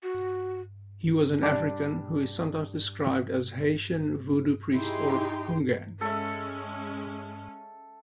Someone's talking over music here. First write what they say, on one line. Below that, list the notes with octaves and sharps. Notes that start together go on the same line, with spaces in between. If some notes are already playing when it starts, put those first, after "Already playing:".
He was an African who is sometimes described as Haitian vodou priest, or houngan.
F#4
G3 D4 D5
D#4 E4 G4 G#4 G5 C6
G#3 C#4 A4 E5